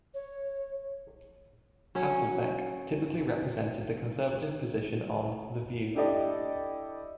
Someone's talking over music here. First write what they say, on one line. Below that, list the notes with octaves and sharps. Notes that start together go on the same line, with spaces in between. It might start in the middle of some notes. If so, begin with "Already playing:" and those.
Hasselbeck typically represented the conservative position on "The View".
C#5
F#3 C#4
D4 E4 G4 A4 D5 D#5